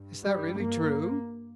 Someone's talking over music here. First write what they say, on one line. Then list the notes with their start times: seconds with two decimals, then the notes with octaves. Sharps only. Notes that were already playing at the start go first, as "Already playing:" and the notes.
"Is that really true?"
Already playing: G2
0.24 G3
0.59 A#3